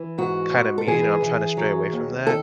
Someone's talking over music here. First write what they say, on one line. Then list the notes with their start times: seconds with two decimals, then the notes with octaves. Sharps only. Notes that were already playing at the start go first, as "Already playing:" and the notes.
kinda mean, and I'm trying to stray away from that.
Already playing: E3
0.18 G#2 F#4
0.53 G#2
0.78 A4
0.87 E3 G#4
1.22 E3
1.57 F#3
1.92 D#2
2.26 D#3 A4